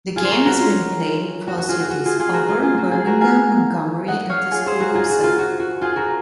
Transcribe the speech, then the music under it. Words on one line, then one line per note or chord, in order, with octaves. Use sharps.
The game has been played in four cities: Auburn, Birmingham, Montgomery, and Tuscaloosa.
F4 G#4
C5
A#4 C#5
F#4 A#4
F4
F#4
F#4
F4 G#4
F#4
F#4
F4 G#4
F4 G#4
F#4 A#4
F4 G#4
F4 G#4
F#4
F4 G#4
F#4 A#4
F5 G#5
D#5 F#5
C#5 F5
F4 G#4
G#4 C5
F#4 A#4
F4 G#4
F#4
F4
F#4
F#4
F4 G#4
F#4 A#4